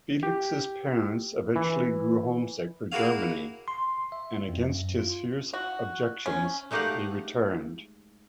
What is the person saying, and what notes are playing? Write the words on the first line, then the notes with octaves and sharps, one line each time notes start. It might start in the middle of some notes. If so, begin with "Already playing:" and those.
Felix's parents eventually grew homesick for Germany and, against his fierce objections, they returned.
G4
E3
A#3 E4 F#4 G#4 C#5 F5
C6
E5
F2
F#2
F4
F#4
C#4
G#3 A3 D#4 G4 F5 F#5